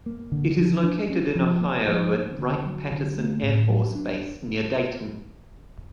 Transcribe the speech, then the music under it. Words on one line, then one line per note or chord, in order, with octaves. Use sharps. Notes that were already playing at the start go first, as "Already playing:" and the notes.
It is located in Ohio at Wright-Patterson Air Force Base, near Dayton.
A#3
D3
F3
D4
C#4
F3
A#3
F3
A#3
D3
F#3
D3
A3
A2
F#3
D4